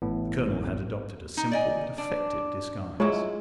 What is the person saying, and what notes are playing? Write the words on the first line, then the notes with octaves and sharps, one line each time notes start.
The colonel had adopted a simple but effective disguise.
A1 A2 B3
D#4
D5 D#5 G#5
D4
F#3 G#3 E4 F4 C#5